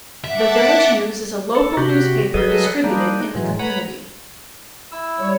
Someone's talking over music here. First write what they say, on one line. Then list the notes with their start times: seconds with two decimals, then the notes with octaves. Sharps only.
The "Village News" is a local newspaper distributed in the community.
0.24 E5 F#5 A5 D6
1.55 A4
1.77 C3 F#4 G4
2.34 F#3 G#4 A4 B4 D#5
2.84 G3 A#3 D4 D#4
3.35 A2 E3 F#3 G#3
3.59 B4 C#5 F#5 A#5 B5
4.92 E4 E6
5.20 G3 C#5